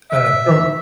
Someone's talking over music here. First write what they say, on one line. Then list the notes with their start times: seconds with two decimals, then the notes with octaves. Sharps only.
uh, from
0.11 E5